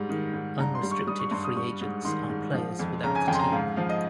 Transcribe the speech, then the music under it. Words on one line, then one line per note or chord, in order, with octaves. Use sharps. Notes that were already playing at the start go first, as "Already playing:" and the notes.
Unrestricted free agents are players without a team.
Already playing: G#2 G3
D#3
G#2
G2 A#5
C6
G3
C#6
G3 D#6
C#6
G2 C6
D#6
G3 C#6
G#2
D#3 C6
G#2
F3
F2
C#3 A#5
G#5
F2 G5
C6
A#5
G#2 F5
F3 F5
D#5